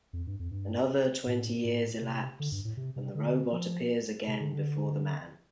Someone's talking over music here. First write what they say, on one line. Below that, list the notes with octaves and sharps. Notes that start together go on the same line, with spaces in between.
Another twenty years elapse, and the robot appears again before the man.
F2
G2
F2
G2
A2
A2
C3
D3
G2
A2
C3
C3
D3
F3
C3
D3
D3